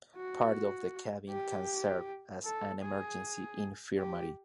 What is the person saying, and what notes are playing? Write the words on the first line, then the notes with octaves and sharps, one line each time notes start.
Part of the cabin can serve as an emergency infirmary.
F#4
G4
A4
G#4
G4